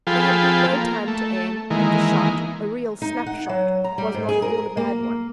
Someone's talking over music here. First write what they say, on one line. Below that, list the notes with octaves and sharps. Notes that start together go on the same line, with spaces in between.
There had been no time to aim, and the shot--a real snap shot--was not at all a bad one.
F3 F4 G#4 A4 G5 B5
A#3
A3
D#3 E3 G#3 A#3
D#4
F#5
F#3
A#5
G3
G#2
G#4
A#4
A#3